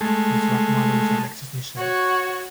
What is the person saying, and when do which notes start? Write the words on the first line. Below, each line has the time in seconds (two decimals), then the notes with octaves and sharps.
His drag mother is Alexis Michelle.
0.01 G#3 A3
1.78 F#4 C#5